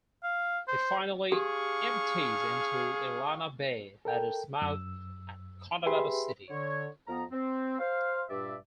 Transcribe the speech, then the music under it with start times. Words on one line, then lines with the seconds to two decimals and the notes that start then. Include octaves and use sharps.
It finally empties into Illana Bay at its mouth at Cotabato City.
0.23 F5
0.68 C5
1.32 D4 G4 G#4 F5 C#6
4.05 A4 A#4 G5
4.62 F#2 E6
5.86 G4 G#4 B4 E5 B5 C6
6.50 D3 C#5
7.08 F2 B3 A#5
7.32 C4
7.79 C5 F5
8.30 G2 A#2 D5 E5